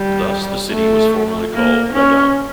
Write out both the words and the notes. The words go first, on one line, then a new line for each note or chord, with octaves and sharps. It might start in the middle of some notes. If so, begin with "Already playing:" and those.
Thus, the city was formerly called Badung.
Already playing: G3
A3
A#3
C#4